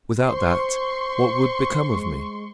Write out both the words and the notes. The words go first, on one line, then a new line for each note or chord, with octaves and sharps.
"Without that, what would become of me?"
C5 C6 C#6
G#3